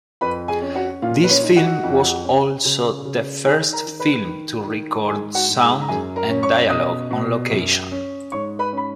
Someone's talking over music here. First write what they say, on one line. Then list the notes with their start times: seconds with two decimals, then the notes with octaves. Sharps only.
This film was also "the first film to record sound and dialogue on location".
0.21 F2 B4 B5
0.48 G#4 G#5
0.62 C#4
0.75 F#4 F#5
1.02 A#2 F4 F5
1.24 B4
1.29 C#4 C#5
1.43 D#4
1.56 F#4 F#5
1.83 F2
2.24 C#4
2.65 C#3
3.05 C#3
3.46 D#3 G#4 G#5
3.73 A#4 A#5
3.86 D#3
4.00 B4 B5
4.27 D#3
4.67 D#3
5.08 G#2 G#4 G#5
5.34 F#4 F#5
5.49 G#2
5.62 G#4 G#5
5.81 A#5
5.88 F#2 G#4 G#5
6.16 A#4 A#5
6.30 C#4
6.43 C#5 C#6
6.70 B2 D#5 D#6
7.11 B2
7.51 F#2
7.92 C#4
8.32 G#2 C#5 C#6
8.59 B4 B5
8.73 C#4 B5